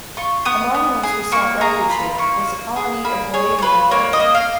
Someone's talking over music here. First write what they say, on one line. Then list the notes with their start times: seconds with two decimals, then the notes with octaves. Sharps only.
Among those who sought refuge here was a colony of Moravian Brethren.
0.17 F4 C#6
0.45 B3 D#6
0.75 B3
1.03 G#4
1.32 A#3 C#6
1.61 G#4 A#5
1.90 F4 B5
2.18 A#3 C#6
2.47 A#3
2.76 G#4
3.04 A#3 B5
3.33 G#4 C#5
3.59 C#5
3.62 F4 B4
3.91 A#3 C#5
4.13 D#5
4.20 A#3
4.35 F5